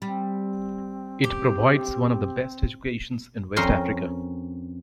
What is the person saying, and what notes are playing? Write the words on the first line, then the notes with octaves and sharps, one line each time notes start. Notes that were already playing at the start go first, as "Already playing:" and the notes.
It provides one of the best educations in west Africa.
G3 C4
G4
F2 C#4 A#4 C6